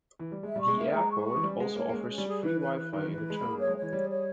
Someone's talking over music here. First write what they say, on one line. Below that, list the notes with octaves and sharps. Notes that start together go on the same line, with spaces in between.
The Airport also offers free Wi-Fi in the terminal.
E3
G3
G#3 E5
G3 C#6
G#3
A#3 E5
G#3 A#5
C#6
C#6
E3
G3 C#4
G#3 G#4
A#3 C#5
A#3
G#3 C#4
C#4
G3
G#4
E3 B4
B4
B4
D#3 B4
E3
B4
E3
G#3 B5
A#3 G#4
C#5
G#3
C#5
E3
G3 G#4
C#5